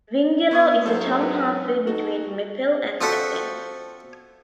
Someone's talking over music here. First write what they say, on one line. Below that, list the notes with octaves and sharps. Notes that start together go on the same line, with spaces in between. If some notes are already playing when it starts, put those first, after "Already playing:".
Dwingeloo is a town halfway between Meppel and Assen.
B3 C#6 D#6
G#2 F#3 A4 C5 F5
A#4 B4
D#4 F#4 A4
F3 C4 F#4 A4 E5